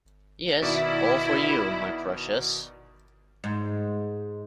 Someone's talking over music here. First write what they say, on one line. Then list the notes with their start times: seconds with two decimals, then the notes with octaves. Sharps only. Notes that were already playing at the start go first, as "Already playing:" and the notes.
Yes; all for you, my precious!
0.62 B2 D#3 E4 D5
3.44 G#2